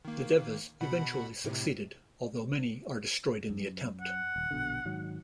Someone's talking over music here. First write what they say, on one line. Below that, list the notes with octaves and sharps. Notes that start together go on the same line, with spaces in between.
The Devas eventually succeed, although many are destroyed in the attempt.
D#3 A#3
B2 F#5 B5
A2 C3
F#2
F#5
D#1
A#1 B2 D3
G#2 D#3 F#3